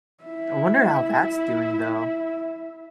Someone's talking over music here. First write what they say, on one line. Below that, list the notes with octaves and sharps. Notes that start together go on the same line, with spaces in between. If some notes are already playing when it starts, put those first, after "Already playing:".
I wonder how that's doing though.
E4 E5